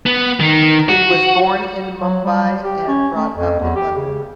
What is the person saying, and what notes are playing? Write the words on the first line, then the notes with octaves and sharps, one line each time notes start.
He was born in Mumbai and brought up in London.
B3
D#3
F#4
F#3
G3
G4
C#4
A3
F2
E2
G4
C#3